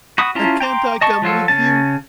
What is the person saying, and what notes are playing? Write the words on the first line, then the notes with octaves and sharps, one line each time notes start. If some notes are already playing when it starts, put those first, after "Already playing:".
"And can't I come with you?"
F#4 B5 D#6
C#4 E4 F4 A5 A#5
G5 A#5 C6 D6
D#5 A5 C#6
F3 F#3 F4 A4
C#3 A3 C#4 A5